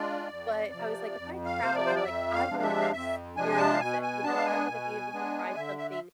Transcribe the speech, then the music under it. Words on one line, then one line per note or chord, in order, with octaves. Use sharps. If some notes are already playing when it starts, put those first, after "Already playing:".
But I was like, "If I travel," I'm like, "I wanna experience it," you know? I wanna be able to try something
Already playing: G#3 D4 F4 D5
F2
C3 F3
F2
F5
C3 F3 C5
D5
C5
D5
F2 E5
F5
C3 F3 G#3 D4
E5
F5
F2 E5
C3 F3 G#3 D4 G#5
A5
F5
B2 G#5
G#5
G#3 B3 D4 A5
F5
G#5
B2
G#3 B3 D4
D3 E5
E5
E5